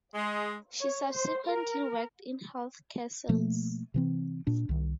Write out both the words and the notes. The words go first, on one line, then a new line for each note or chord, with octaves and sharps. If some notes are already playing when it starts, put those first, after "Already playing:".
She subsequently worked in health care sales.
G#3
C#5
C5
A#4
B2 F3 A3 A#3
C3 E3 C4
A#2 D4
C2 D#3